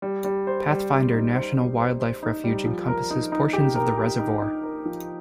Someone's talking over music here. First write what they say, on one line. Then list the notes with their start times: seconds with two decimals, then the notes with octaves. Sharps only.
Pathfinder National Wildlife Refuge encompasses portions of the reservoir.
0.02 G3
0.24 G3
0.47 C5
0.69 G3
0.91 G3
1.12 D#4
1.35 C5
1.56 G3
1.79 C5
2.00 C5
2.23 D#4
2.44 G3
2.65 F3
2.88 A#4
3.10 D#4
3.32 D#4
3.53 G4
3.76 A#4
3.98 G4
4.19 D#4
4.42 D#4
4.63 A#4
4.85 F3